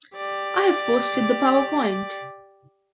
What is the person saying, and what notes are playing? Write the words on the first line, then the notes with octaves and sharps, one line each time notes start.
I've posted the powerpoint.
G4 D5